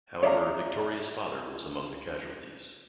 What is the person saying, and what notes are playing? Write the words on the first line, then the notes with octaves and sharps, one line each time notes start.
However, Victoria's father was among the casualties.
C#5 D5 E5 F5 G#5 A#5